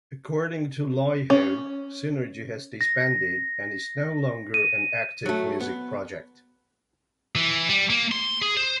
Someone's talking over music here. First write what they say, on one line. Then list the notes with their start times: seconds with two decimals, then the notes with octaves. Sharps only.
According to Laiho, Sinergy has disbanded and is no longer an active music project.
1.30 C#4
2.81 A#6
4.54 D#7
5.26 F#3 A3
5.60 B3
7.36 E3
7.69 G3
7.90 A#3
8.12 C6
8.42 G#4
8.57 C5